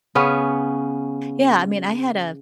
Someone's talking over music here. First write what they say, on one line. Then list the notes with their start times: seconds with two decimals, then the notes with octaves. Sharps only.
yeah, I mean, I had a
0.15 C#3 B3 C#4